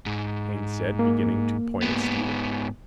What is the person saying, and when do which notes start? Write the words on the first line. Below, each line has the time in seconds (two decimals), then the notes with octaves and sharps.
Haines said, beginning to point at Stephen.
0.06 G#2
0.99 A#3
1.82 G#2 B3